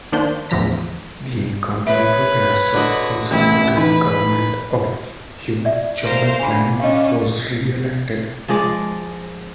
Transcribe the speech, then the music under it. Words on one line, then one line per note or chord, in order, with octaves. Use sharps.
The incumbent Progressive Conservative government of Hugh John Flemming was re-elected.
D#3 A#3 D4 C5 G6
E2 A2 D3 F3 A#5 B6
B4 C#5 E5
D3 F#4 D#5
A1 A3 E4
E3 D#4 B4 B5
D5 E5
A#4 C5 F5
D3 G#5 B5
C#4 D4 D#5 F5
F3 G#3 G#4 D5